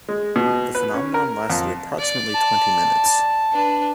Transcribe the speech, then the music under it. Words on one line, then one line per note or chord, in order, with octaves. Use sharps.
The phenomenon lasted approximately twenty minutes.
G#3
B2
B4
C#4
A#4
F2
D5
A5
D4 B4